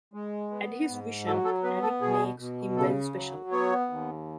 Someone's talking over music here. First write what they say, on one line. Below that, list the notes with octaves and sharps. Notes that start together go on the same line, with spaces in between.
Add his vision and it makes him very special.
G#3
B3
G#2
F#3 A4
A4
B3 B4
A4
B2 G#4
B2
C#3 A4
F#3
B3 C#5
D#2